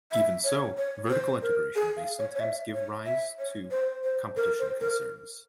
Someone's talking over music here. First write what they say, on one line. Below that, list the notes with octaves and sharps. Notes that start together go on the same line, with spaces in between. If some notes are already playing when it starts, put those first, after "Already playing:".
Even so, vertical integration may sometimes give rise to competition concerns.
E5
C#5
C#5
C5
A#4
G#4
F5
C#5
C#5
E5
C#5
E5
C#5
C5
C5
A#4
C5
A#4